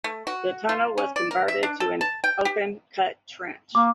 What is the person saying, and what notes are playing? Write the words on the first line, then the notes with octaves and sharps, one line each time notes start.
The tunnel was converted to an open cut trench.
A3
F#4
F4
C#4
D5
A#4
E5
D4
A4
A5
G5
G4
A#3 D6